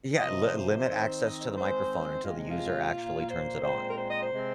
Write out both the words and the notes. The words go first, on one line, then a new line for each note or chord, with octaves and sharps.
Yeah, l limit access to the microphone until the user actually turns it on.
C3 F3 C4 D#5
C5
D#3 C4
D#5
C5
D#3 G#3 C4 C5
C3 G#3 C4 F4
D#4
F4
A#2 A#3
C5
A#2 G#3 C4 C5
A#4
C5
D#5
C5
C3 G#3 C4